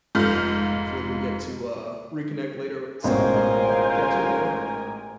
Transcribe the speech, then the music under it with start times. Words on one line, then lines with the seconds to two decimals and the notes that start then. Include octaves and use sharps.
Yeah, hopefully, we get to, uh, reconnect later at some point, but I'll catch you later.
0.15 F1 G#2 F4 F6 G6
3.04 A1 G#2 B2 F4 A#4 C5 G#5